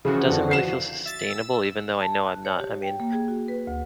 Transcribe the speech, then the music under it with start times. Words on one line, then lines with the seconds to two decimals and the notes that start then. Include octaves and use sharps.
doesn't really feel sustainable even though I know I'm not I mean,
0.05 C#3 E3 F3 F#4
0.28 F2 D3
0.51 C7 E7
1.05 E5 A6
1.30 E6
2.00 A5
2.27 F#6
2.45 C#5
2.59 G4
2.82 G5
3.00 A#3
3.13 G#4
3.28 F#4
3.48 B4
3.67 D2